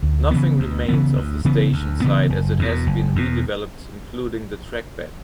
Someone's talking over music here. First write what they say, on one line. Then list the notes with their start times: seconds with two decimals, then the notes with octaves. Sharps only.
Nothing remains of the station site as it has been redeveloped including the trackbed.
0.03 D2
0.31 C#3 E3 B3
0.60 D2
0.88 C#3 E3 B3
1.16 D2
1.45 C#3 E3 B3
1.73 D2
2.02 C#3 E3 B3
2.30 F#1
2.59 E2 B2
2.87 F#1
3.16 E2 B2